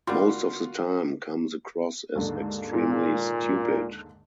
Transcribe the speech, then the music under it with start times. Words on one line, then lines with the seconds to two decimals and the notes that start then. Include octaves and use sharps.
Most of the time comes across as extremely stupid.
0.07 D3 G3 F4 F#4 A#4 C6
2.16 D#2 G#2 D3
2.73 A#2